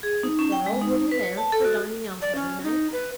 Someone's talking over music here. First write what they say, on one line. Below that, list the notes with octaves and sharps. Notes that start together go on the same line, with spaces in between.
He quarrelled with his aunt for dining out every night.
G#4
D#4
C#4
G5
G#3
D#4
B4
C#5
A5
A4
F#4
D5
C#4
D#4
B4